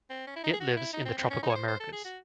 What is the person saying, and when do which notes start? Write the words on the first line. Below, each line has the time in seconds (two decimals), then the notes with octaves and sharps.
It lives in the tropical Americas.
0.10 C4
0.27 C#4
0.36 E4
0.44 D#4
0.53 G#4
0.60 F#4
0.77 E4
0.93 D#4
1.05 C4
1.18 C4
1.30 C#4
1.43 D#4
1.49 C#5
1.55 C5
1.68 C5
1.80 A4
1.92 G#4
2.05 F#4